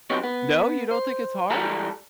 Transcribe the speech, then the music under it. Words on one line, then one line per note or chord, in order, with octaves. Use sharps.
No, you don't think it's hard?
F#3 B3 C4 D#4 G4 C#5
B3
C5
C#2 E3 G3 A4 A5 A#5